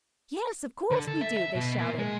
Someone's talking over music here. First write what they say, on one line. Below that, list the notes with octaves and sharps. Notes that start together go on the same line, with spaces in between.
"Yes, of course we do," they shouted.
D3
A4
E5
E5
B2
A#2
G#3